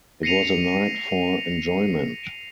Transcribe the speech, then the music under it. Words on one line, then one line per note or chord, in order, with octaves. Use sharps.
It was a night for enjoyment.
A#6 C7 C#7 D#7 F7